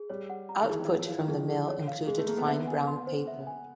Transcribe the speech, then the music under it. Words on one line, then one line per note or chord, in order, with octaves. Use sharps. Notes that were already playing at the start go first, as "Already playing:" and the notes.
Output from the mill included fine brown paper.
Already playing: G#4
G3 C#5
F#5
A#5
D#3
E3 G#4
F3
F#3 C#5
F3
E3 F5
D#3
F3 G#4
G#4
C#5
F5
G#3 G#4
A3
A#3 G#4
B3
B3 E5
G#5
C6
C5
E5
G#5